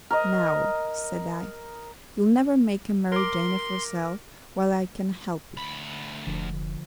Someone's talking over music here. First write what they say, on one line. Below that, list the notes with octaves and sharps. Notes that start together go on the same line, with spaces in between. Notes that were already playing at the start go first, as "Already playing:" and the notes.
'Now,' said I, 'you'll never make a Mary Jane of yourself while I can help it.
A#4 D#5
A#4 C6 D6
D2 B5
F1 D3 F3